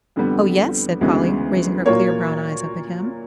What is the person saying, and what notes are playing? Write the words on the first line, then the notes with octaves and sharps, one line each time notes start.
"Oh, yes," said Polly, raising her clear, brown eyes up at him.
F2 D3 G3 B3
D2 C#3 E3 G#3 B3
A#2 F#3 A#3 C#5